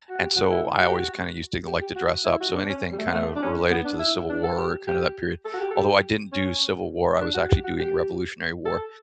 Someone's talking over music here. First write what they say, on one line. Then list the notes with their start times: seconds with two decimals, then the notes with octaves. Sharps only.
and so I always kinda used to like to dress up. So anything kind of related to the Civil War, kinda that period. Although I didn't do Civil War, I was actually doing Revolutionary War,
0.09 F#4
0.21 G4
0.36 F#4
0.51 E4
0.79 F#4
0.89 G4
0.98 F#4
1.67 G4
1.81 G4
1.96 F#4
2.25 E4
2.40 F#4
2.54 D4
2.69 C#4
2.92 G3
2.98 A3
3.07 B3
3.12 A3
3.36 D4
3.42 C#4
3.71 B3
3.85 D4
3.99 E4
4.29 D4
4.44 A4
4.58 G4
4.87 G4
5.45 A4
5.54 F#4
5.61 G4
5.71 A4
5.75 G4
6.32 C#4
7.20 D4
7.35 F#4
7.49 G4
7.64 F#4
7.79 G4
8.65 A4